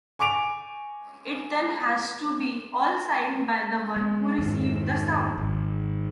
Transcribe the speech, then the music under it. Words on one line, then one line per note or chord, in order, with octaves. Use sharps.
It then has to be all signed by the one who received the sum.
G#5 C#6 D6 D7 F7
G#3
F2 G#2 D#3
G#1